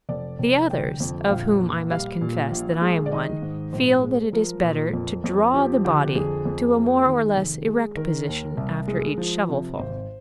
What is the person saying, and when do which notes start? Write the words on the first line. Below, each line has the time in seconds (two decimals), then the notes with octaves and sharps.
The others, of whom I must confess that I am one, feel that it is better to draw the body to a more or less erect position after each shovelful.
0.09 F1 D5
0.39 F1
0.70 D3 G5
1.00 F2
1.25 G5
1.30 A#1 F5
1.61 A#3
1.91 G3 F5
2.21 A#2
2.51 A#1
2.82 G#3
3.06 D5
3.12 D#3 D#5
3.42 G#2
3.73 A#1 C5
4.03 G#3
4.33 F3 A#4
4.63 A#2
4.93 F2
5.24 F2
5.54 F3 G4
5.85 D3 G4
6.15 F2 G#4
6.45 F2
6.76 A#3
7.06 D#3
7.36 F1
7.66 G#3
7.96 D#3 A#4
8.27 D#2
8.57 C2
8.88 G#3
9.18 F3
9.49 C3
9.79 G#1 C5